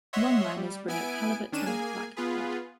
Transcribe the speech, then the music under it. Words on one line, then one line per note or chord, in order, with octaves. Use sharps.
Longliners bring up halibut and black cod.
C#5 D#5 E5 F#5 C6
G3
B3 E4 G#5 D7
D#3 C#4 D4 D#7 E7
A#3 G#4 G#5
B3 F4 G#4 B4